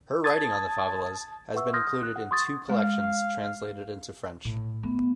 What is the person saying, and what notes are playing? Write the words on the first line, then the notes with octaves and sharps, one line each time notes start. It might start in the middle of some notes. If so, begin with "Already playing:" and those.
Her writing on the favelas has been included in two collections translated into French.
A5 D#6 G#6 A6
B4 E5 F#5 C#6 E6
C6 D#6 F6 G6 G#6 A#6
D#6
F#6
F#5
C6 C#6 D#6 G#6 A6
G#3 F5
A2
A3 B3